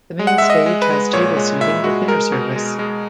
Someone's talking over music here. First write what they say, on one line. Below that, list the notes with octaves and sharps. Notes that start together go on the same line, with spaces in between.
The main stage has table seating with dinner service.
G#3
F#5
G#3 E5
D#5
G#3
B4
G#3
A#2 C#5
G#3
A#2 E5
G#3 F#4
G#3 A#4
B2
G#3
G#3